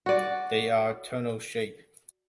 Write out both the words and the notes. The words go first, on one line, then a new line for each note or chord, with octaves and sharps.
They are tunnel-shaped.
F#4 D5